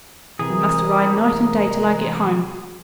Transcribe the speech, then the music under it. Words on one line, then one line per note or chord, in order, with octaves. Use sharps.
I must ride night and day till I get home.
C3 E3 G#4 A#4